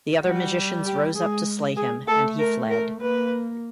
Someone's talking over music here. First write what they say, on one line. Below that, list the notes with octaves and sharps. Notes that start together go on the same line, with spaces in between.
The other magicians rose up to slay him, and he fled.
G3 F#4
G4
G#3 G#4
G#4
A3 A4
A#4
A#4
A#3 B4